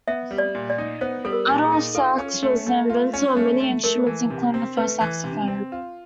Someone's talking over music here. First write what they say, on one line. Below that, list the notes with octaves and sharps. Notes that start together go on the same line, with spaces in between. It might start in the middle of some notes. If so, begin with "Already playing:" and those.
Adolph Sax was the inventor of many instruments including the first saxophones.
B3 E5
G3
D5
A#2
D5
D#4
B3 C5
G3 A4
A#4
A#2
G#4
D#4
F4 A4
C#4
A3
A3
F4
C#4
A3
A3
A3 A#4
E3
C3
C4
A3 B4
E3
C3
C4
F4